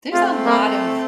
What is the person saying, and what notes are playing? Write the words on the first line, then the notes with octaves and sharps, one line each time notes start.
There's a lot of
A3 C4 F4
A#3